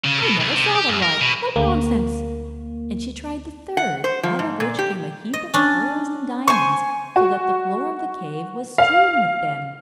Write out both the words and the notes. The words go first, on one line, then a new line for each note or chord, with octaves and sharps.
"I never saw the like--what nonsense!" and she tried the third, out of which came a heap of pearls and diamonds, so that the floor of the cave was strewn with them.
C#3
B2
C2
C3
G4
F#2
A#4
B2
D2 A#3
F#5
C5
F3
G#2
A#2
G4
D#5
C#4 D4
C5 G#5 C#6
F#4
F5